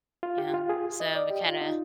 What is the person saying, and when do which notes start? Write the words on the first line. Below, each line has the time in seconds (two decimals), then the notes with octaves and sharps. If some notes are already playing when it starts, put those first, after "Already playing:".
You know? So we, kinda,
0.23 F4
0.38 G4
0.54 F4
0.69 G#4
1.00 D#5
1.15 D5
1.30 G4
1.46 F4
1.61 D#4